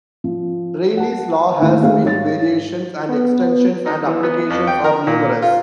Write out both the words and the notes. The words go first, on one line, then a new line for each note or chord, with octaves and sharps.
Reilly's law has many variations, and extensions and applications are numerous.
F3
F#5 A5
D#2 D#3 A3 E4 F5
G#3 A3 E5 F5
G#2 C#5 F5 A6
B3
D#4
E3
B3
F2
G5
A#4
A#2
F4